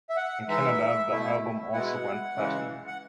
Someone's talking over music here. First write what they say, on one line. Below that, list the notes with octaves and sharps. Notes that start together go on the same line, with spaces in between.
In Canada the album also went Platinum.
E5
F#5
E3 G#3 D#4 E5
B2 A3 E4
B2 G#3 B3 E4 F#5
C#3 E3 G#3
F#5